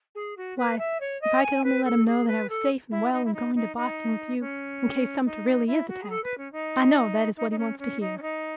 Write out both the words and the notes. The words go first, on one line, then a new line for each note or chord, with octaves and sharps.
"Why, if I could only let him know that I was safe and well and going to Boston with you, in case Sumter really is attacked; I know that is what he wants to hear."
G#4
F#4
B4
E5
C#5
D#5
G#5
B4
A4
G#4
B4
A4
E4
D#4
E4
D#4
D#4
D#4
C#4
D#4
E4
F#4
G#4
A4
B4
C#4
D#4
D#4
D#4
C#4
C#4
D#4
C#4
D#4